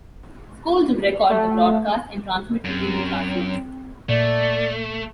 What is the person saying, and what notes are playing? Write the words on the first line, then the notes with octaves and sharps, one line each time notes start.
Schools would record the broadcast and transmit it into classrooms.
A3
F#2 C4
A#2 A3 D5